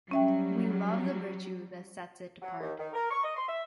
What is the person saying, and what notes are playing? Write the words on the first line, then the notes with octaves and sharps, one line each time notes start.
We love the virtue that sets it apart.
F#3 G3 C#4 E5 G5
F#3
D#2
D#3
A#4
C#6
D#5
C6
E5